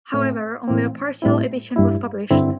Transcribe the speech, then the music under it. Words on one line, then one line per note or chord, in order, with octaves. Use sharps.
However, only a partial edition was published.
A2 A3 C4
A2 E3 C4
A2 G3 C4 E4
G2 G3 E4
G2 D3 C4 E4